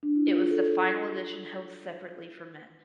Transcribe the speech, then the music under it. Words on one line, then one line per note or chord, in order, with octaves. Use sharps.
It was the final edition held separately for men.
D4
E4
F4
G#4
A4